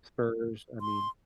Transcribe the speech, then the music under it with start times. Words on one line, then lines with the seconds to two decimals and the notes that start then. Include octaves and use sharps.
Spurs, I mean
0.81 C6